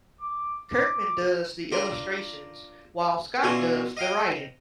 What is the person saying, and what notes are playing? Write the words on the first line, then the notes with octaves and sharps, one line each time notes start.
Kirkman does the illustrations, while Scott does the writing.
D6
D6
D4 F4 A#4
B2 D3 E3 C#4 F4 F#4
D#5 F5 G5